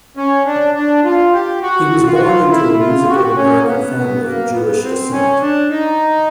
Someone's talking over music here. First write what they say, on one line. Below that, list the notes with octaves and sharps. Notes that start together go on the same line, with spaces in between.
He was born into a musical American family of Jewish descent.
C#4
D4
D4
F4
G4
F#4
F4
F#4
F4
E4
F4
F#4
G4
F#4
C#4
A#3
B3
B3
A#3
B3
C4
C#4
D4
D#4